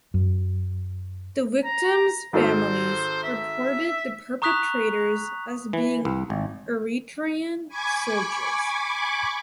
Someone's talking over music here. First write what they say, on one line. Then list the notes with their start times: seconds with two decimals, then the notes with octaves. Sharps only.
The victims’ families reported the perpetrators as being Eritrean soldiers.
0.14 F#2
1.64 A#5
2.33 G#1 A4 C5
3.23 E5
4.42 A#5 C#6 D#6 F#6 B6 F7
5.73 E3
6.05 C2
6.30 G#1
7.68 G#5 B5 C#6 D6 G#6